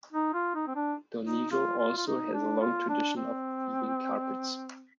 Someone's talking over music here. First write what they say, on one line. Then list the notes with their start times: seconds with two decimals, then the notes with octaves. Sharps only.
Donegal also has a long tradition of weaving carpets.
0.13 D#4
0.34 F4
0.55 D#4
0.67 C4
0.76 D4
1.23 D#4
1.52 F4
1.78 F4
1.97 F4
2.07 D#4
2.33 D4
2.61 F4
2.89 D4
3.16 C4